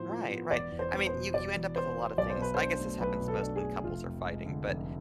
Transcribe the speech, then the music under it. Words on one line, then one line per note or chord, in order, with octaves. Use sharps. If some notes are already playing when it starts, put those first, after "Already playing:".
Right, right. I mean, you, you end up with a lot of things, I guess this happens most when couples are fighting, but,
Already playing: A2 F3 B3 C5
F4
B3
E1 D5
E2
C5
B3
C5
B2
E1 D5
E2
B3 C5
B2
B1 D5
C5
B2 B4
D4 C5
A3
B1 B4
B2
A4
D4
G#4
A3
F1 F4
F2
G#3
D3
F1